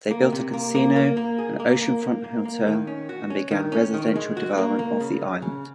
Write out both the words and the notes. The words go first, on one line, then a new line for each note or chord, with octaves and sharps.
They built a casino, an oceanfront hotel and began residential development of the island.
A#3
C3
A#3
A#3
A#3
A#3
G#4
A#3
A#3
A#3
A#3
A#3
D#3
C#4
F#4
C#4
D#3
C#4
D#3
G#3
F#4
A#3
A#3
C#3
F#3
C#3